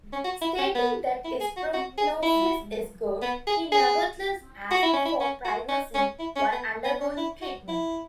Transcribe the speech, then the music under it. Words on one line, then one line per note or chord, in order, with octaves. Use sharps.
Stating that his prognosis is good, he nevertheless asked for privacy while undergoing treatment.
C#4
F#4
E4
C#4
B3
E4
G#4
F#4
F#4
G#4
E4
B3
G#4
G#4
F#4
E4
C#4
E4
C#4
F#4
C#4
C#4
E4
C#4
B3
B3
C#4
E4
F#4
E4